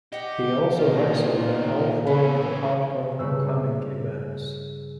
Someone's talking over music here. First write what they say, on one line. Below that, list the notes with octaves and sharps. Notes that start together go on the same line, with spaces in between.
He also wrestled at all four of the Hardcore Homecoming events.
G4 D#5 F#5
A#2 D#3 F4
A#3
E3 B3 C#4
G2 C#3 E6